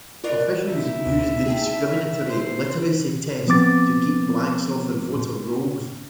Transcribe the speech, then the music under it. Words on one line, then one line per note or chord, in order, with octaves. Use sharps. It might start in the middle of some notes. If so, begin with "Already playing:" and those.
Officials used the discriminatory literacy test to keep blacks off the voter rolls.
F4 A#4 B4 D5 D#5
D#4 E4 E5
D2
G#4 G5 A5
C5
F3 B3 C4 D6 A6